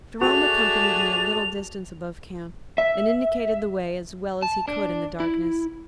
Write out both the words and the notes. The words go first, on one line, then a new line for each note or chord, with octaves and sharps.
Jerome accompanied me a little distance above camp and indicated the way as well as he could in the darkness.
A3 D4 F#4 G#4 A5 F7
E5
A5
D4
E4